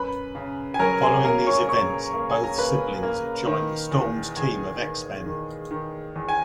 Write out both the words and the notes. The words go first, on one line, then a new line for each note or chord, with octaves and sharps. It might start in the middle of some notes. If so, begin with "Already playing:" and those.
Following these events, both siblings join Storm's team of X-Men.
Already playing: F#2 B4 B5
C#3
G#5
F#3 A#4 A#5
G#4 G#5
G#5
A#3 A#4 A#5
C#5 C#6
F#2 C#5 C#6
A#3
G#5
A#5
A#3 B4 B5
A#3
D#3
E2
E2 G#4 G#5
D#3
D#3
D#3
E2
G#5